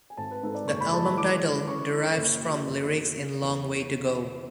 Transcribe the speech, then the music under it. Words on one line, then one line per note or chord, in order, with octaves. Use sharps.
The album title derives from lyrics in "Long Way to Go".
G#5
G#1 A5
B4
G#2 A4
D5
F#1 C#6
B5
G#3 A5
B5
E3 D6
E3
C#4 C#6
E4
F#1
F#2
F#1
B2
C#3
E2